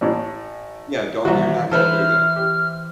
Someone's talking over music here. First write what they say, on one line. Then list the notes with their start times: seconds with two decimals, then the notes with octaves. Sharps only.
Yeah, don't you're not gonna do that.
0.01 A1 A2
1.25 C2 D#3 E3 F#4 E5
1.71 E3 A4 B4 C5 E5 F6
2.36 G4